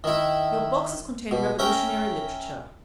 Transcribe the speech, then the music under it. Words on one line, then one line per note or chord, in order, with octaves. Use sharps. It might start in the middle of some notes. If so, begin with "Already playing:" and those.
Your boxes contain revolutionary literature.'
D#3 E4
B2
C#4 A#4 E5 G5